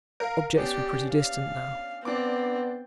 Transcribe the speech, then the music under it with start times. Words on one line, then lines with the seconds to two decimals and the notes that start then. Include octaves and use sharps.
Objects were pretty distinct now.
0.20 A#4 F5
0.56 B3 C#4 D4 G4
1.12 F5
2.05 B3 C4 D4 D6